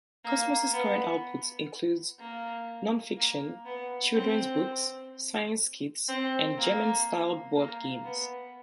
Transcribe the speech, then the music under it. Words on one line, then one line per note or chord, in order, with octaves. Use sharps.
Kosmos's current output includes non-fiction, children's books, science kits and German-style board games.
A#3
B3
A#3
A#3
B3
C4
C4
A#3
A#3
B3